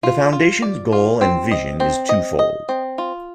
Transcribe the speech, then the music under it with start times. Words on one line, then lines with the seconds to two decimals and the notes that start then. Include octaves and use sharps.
The Foundation's goal and vision is two-fold.
0.03 F4
0.32 F4
0.62 D5
0.92 F4
1.21 C4
1.51 D#5
1.80 C4
2.09 D#5
2.39 D#5
2.69 C4
2.98 F4